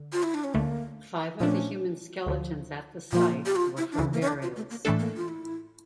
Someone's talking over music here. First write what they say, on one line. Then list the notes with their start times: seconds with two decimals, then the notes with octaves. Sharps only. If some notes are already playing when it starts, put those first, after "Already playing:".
Five of the human skeletons at the site were from burials.
Already playing: D3
0.13 F4
0.23 E4
0.34 D4
0.44 C#4
0.54 D2 D3 A3 A#3
1.40 A#2 F3 A3 C#4 D4
2.26 D2 D3 F3
3.12 A#2 F3 A#3 F4
3.46 G4
3.56 F4
3.77 E4
3.92 D4
3.98 D2 C#3 E3 E4
4.13 A#3
4.22 C#4
4.28 D4
4.42 F4
4.56 A3
4.70 A#3
4.85 A2 E3 A3 A#3 D4 A4
4.99 A#3
5.16 F4
5.28 E4